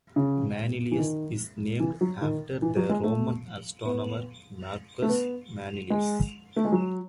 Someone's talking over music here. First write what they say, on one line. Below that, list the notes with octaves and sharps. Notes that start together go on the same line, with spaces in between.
Manilius is named after the Roman astronomer Marcus Manilius.
C#3
E3
D#3
E3
F#3
D#3
E3
F#3
G#3
A3
B3
A3
B3
G#3
A3
G#3
F#3